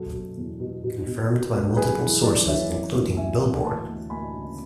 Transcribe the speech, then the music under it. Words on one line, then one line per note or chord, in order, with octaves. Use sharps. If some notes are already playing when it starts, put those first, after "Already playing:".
Confirmed by multiple sources including "Billboard".
Already playing: F#2 B2 F#4 A4
B2
E2
B2
B2
B2
B2
C#2
F#2 G#4 B4
E3
F#2 B4 D5
E3 C#5 E5
E3
D2
D2 E5 G#5
E3 F#5
G#5
D2 F#5 A5
D2
D2 G#5 B5
C#3